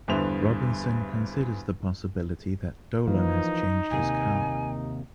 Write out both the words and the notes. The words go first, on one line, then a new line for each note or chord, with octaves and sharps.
Robinson considers the possibility that Dolan had changed his car.
E2 G2 D3 C5 E5 F7
E3 F3 A#3 D#4
D#2 C3 A#3 G#5